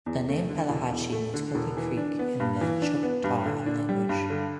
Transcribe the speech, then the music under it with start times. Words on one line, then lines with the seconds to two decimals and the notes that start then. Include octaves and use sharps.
The name Pelahatchie means "Crooked Creek" in the Choctaw language.
0.06 E2
0.28 A3
0.49 D3
0.70 E1
0.92 E2
1.12 A3
1.34 D3
1.55 E1
1.77 E3
1.97 D4
2.19 B3
2.40 G2
2.61 E3
2.82 D4
3.03 B3
3.24 G2
3.46 D3
3.66 D4
3.89 G3
4.09 G2
4.30 D3